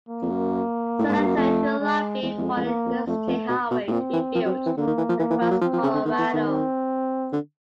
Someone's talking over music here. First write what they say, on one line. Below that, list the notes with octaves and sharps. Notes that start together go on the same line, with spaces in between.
Senator who lobbied for an Interstate Highway to be built across Colorado.
A#3
F2
F#2
A2
G#2
G2
F#2
F2 A3
G#3
E2 G#3
E2
F2
F2
E2 A#3
F2
F2 A3
F2
B2
B2
A2
A#2 C4
E3
F3
F#3
E3
D3 A#3
D#3
E3
F3
E3 A#3
E3
F3
F#3
F3 C4
F3
C#3
D3
D#3 B3
E3
D#3
C4
D3